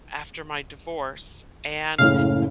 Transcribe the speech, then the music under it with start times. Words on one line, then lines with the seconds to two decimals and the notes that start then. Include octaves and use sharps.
after my divorce. And,
1.98 F#1 A2 C#3 F5